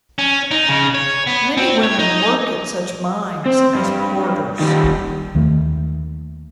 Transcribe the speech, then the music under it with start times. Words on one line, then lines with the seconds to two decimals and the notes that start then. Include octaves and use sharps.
Many women work at such mines as porters.
0.19 C#4
0.51 D#4
0.69 C#3
0.95 C#5
1.27 B3
1.57 C4
1.84 C#5
1.99 D#4
3.46 C4
3.75 G2
4.60 D#3 G3
5.35 D#2 D#3 A3